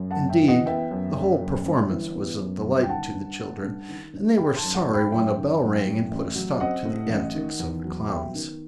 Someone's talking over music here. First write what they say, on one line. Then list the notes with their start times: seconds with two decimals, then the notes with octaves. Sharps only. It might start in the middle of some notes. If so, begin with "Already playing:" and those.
Indeed, the whole performance was a delight to the children, and they were sorry when a bell rang and put a stop to the antics of the Clowns.
Already playing: F#2
0.11 F#5 A5
0.16 F#1
0.29 E5 G5
0.42 E3
0.48 D#5 F#5
0.66 B3 E5 G5
0.91 F#2
1.16 F#1
1.41 F#2
1.65 G1
1.90 E3
2.15 B3
2.39 F#2
2.64 G1
2.83 G5
2.89 D#3 F#5 A5
3.14 G2
3.40 A3
3.63 G2
3.89 D#3
4.14 G2
4.37 D#3 G5 B5
4.56 A5 C6
4.63 F#2
4.75 F#5 A5
4.88 F#3
4.94 G5 B5
5.12 F#2 E5 G5
5.38 D#3
5.61 F#2
5.87 A2
6.11 A1
6.36 F#3
6.60 C4 D#5 F#5
6.85 A2
7.10 A1
7.35 D#3
7.60 E2
7.84 F#3
8.09 B3 E5 G5
8.35 D#3